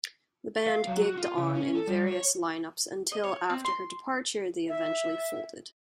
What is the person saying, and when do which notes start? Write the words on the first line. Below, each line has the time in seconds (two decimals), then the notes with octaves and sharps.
The band gigged on in various lineups until, after her departure they eventually folded.
0.67 F5
0.87 F#3
1.01 F#4
1.17 F4
1.37 C#3
1.55 C#4
1.75 A4
1.87 G3
2.07 C#5
3.12 D#5
3.24 C#5
3.50 C4
3.65 C6
4.69 E5